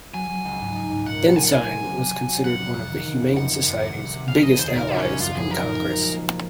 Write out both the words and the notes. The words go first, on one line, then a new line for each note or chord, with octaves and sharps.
Ensign was considered one of the Humane Society's biggest allies in Congress.
F#3 G#5
F#3
C#2
G#2
D#4
G#2
A#2 F#5
A#2
F#5
F#3 G#5
F#5
C3 G#5
F#3
C3
C3
F#3
F#4
F1 F#5
F1
F2
D#3
D#3
F2
F#1 F#5
F#1
F#2
C2
C3
C3
C#3 F5
F1 D#5
D#2 C5
G#4
A#2 A#4
A#2
C#4
C2
F#2 F4
F3 G#4
D#4 A#4
A#1
A#2
G#3
A#3
A#3